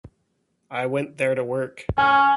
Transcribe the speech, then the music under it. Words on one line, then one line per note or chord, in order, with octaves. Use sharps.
I went there to work.
C#4 G#5 F6